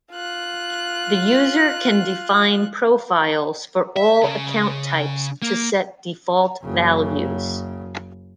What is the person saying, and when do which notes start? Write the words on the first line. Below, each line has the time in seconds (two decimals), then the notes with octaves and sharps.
The user can define profiles for all account types to set default values.
0.12 F4 F#6
3.96 E5
4.23 C#3
5.42 A#3
6.63 F#1 C#3